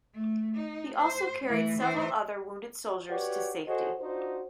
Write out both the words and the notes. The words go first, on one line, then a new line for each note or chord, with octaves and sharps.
He also carried several other wounded soldiers to safety.
A3
D#4
C5
E3 A3
E3 C5
F#4 G4 B4 C#5 D5 F#5
F#4 G#4 A4 C5 C#5 D#5
D4 D#4 F4 F#4 C5